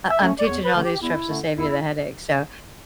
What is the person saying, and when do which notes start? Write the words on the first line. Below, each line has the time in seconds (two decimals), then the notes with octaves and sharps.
I'm teaching you all these tricks to save you the headache. So
0.10 E5
0.19 D3 A3 C#4
0.40 D5
0.47 E2 C#5
0.65 B4
0.74 D3 A3 C#4
0.83 G4
1.02 E2 E4
1.30 D3 A3 C#4
1.57 E2 E4